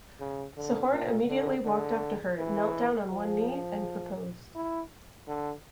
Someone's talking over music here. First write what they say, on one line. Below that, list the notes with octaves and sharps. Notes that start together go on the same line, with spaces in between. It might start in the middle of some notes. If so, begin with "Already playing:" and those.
Sehorn immediately walked up to her, knelt down on one knee and proposed.
C#3
D3
A#2
D3
D3
E3
F3
E4
D3